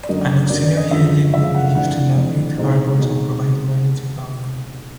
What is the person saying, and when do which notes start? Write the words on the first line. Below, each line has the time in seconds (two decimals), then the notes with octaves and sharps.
An auxiliary engine will be used to navigate harbors and provide emergency power.
0.03 D5
0.09 F#2 D3 F#3 A#3 D#5
0.49 F#2 D3 F#3 A#3 D5
0.77 D#5
0.91 F#2 D3 F3 G#3 E5
1.33 F#2 D3 F3 G#3 E5
1.44 F5
1.55 F#5
1.64 F5
1.75 F2 C3 E3 A3 D4 F#5
2.16 F2 C3 E3 A3 D4
2.58 B2 G#3 C4 D#4
2.99 B2 G#3 C4 D#4